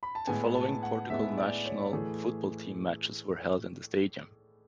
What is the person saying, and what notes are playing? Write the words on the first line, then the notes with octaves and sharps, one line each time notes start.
The following Portugal national football team matches were held in the stadium.
B5
A5
A2 G#3 B3 G#5
A5
F#5
A2 G#3 B3 E5
D5
C#5
A2 E3 A3 G#4